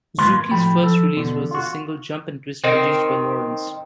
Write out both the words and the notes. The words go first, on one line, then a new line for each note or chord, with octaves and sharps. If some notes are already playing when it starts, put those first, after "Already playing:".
Zukie's first release was the single "Jump and Twist", produced by Lawrence.
D#2 G#2 D#3 F4 B4 C6
A#3
A2 F3 F#3 G5 B5
F3 A4
E2 B2 D3
F4 F#4
D#3 C4